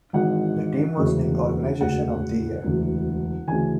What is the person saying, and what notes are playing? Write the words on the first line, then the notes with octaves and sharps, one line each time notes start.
The team was named Organization of the Year.
G#1 G#2 E3 F#5
E1 D2 C#3 E3
E1 D2 C#3 F#5
E1 D2 C#3 E3
D2 C#3 E3 G#5